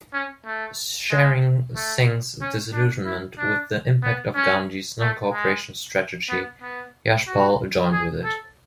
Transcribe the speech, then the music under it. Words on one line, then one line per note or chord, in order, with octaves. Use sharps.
Sharing Singh's disillusionment with the impact of Gandhi's non-cooperation strategy, Yashpal joined with it.
C#4
A3
G#3
A3
C#4
D4
E4
D4
B3
C#4
A3
G#3
B3
B3
F#4
G#4
A4